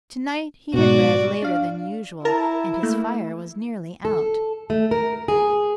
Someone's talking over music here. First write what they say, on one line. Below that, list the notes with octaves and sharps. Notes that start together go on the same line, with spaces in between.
To-night he had read later than usual, and his fire was nearly out.
G#2 B2 F#4 D5
D4 F5
E4 A#4 A5 A#5
A3 A#3
A4
A3
A#4
G#4